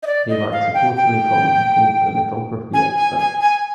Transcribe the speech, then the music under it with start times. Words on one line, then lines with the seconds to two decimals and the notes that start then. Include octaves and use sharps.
He writes a quarterly column called the Lithography Expert.
0.03 D#5
0.07 D5
0.29 D#5
0.52 F5
0.74 G5
0.96 G5
2.74 G#5
2.96 G#5
3.18 G#5
3.40 G#5